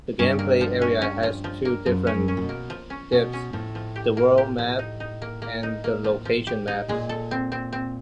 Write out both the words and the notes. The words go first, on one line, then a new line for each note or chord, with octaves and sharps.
The gameplay area has two different depths: the world map and the location maps.
G2 C#4
A#3
F3
C#4
C#4
F3
F3
A#3
F#2 F3
C#4
F#2
C#4
A#2
B2
A#3
F3
C#4
B2 C#4
C#4
A2 F3
F3
G4
A#3
G4
F3
D#4
D#4
A#3
A#3
D#4
A#3
F3
F3
G4
D#4
A#2 G#3
A4
C4
C4
C4